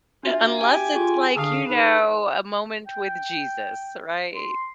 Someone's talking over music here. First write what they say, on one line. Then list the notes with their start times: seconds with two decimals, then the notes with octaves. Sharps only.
Unless it's like, you know, a moment with Jesus, right?
0.23 D4 F4 F#4 E5
0.55 G4 G#5
0.94 F4 G#4 C#6
1.36 D3 G#4 F5 A5 D#6
1.68 D#4 B4
2.87 G5
4.35 C6